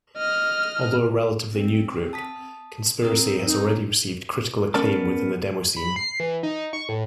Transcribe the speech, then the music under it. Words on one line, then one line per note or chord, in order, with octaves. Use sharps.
Although a relatively new group, Conspiracy has already received critical acclaim within the demoscene.
D#5 F6
C4
A5 D#6 B6
C4 A#4 D#6
D#4
B3 C#4 A#4 D5 A5
B5
C7
E3
D#4
C#6
A2